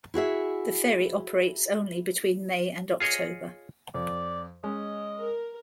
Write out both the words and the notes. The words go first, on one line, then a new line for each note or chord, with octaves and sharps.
The ferry operates only between May and October.
E4 F#4 G#4 E5
F4 G#4 C#5 D#5
F2 D5
G#3 C#4 D#5
A#4